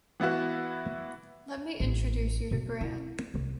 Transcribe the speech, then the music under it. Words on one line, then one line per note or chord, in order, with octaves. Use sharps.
Let me introduce you to Bran.
E3 B3 E4 F#4
A1
B2
E4
C2